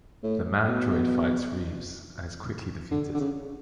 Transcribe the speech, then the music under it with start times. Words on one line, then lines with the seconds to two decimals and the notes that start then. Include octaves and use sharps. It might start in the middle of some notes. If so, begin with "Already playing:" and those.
The Mandroid fights Reeves and is quickly defeated.
0.23 A2
0.68 B2
2.91 D3
3.14 D3
3.20 C#3